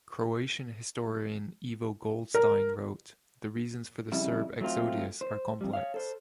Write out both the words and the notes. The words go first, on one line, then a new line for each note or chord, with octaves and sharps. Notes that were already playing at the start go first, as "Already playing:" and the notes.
Croatian historian Ivo Goldstein wrote, The reasons for the Serb exodus are complex.
A#4
F2 C#3 G3 E4
F#3 A3 C4 F4
C5
F2 G3
C#5 F5
A4 C5